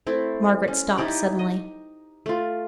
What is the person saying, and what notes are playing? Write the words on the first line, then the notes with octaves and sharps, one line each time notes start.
Margaret stopped suddenly.
A3 C4 E4
C#4
D#4 E4 G4 D5
D#5
A3 F4